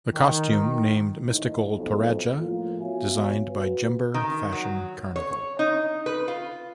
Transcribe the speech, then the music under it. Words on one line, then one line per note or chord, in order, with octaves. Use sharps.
The costume named ""Mystical Toraja"" designed by Jember Fashion Carnival.
D#3
A#1 A2 D#4
B1 F2
A2 F3 A#3 F4
B3 F#4 C#5 E5 F5 G#5
F#4 B4
D#3
F#3
C#5
D#4
B4
F4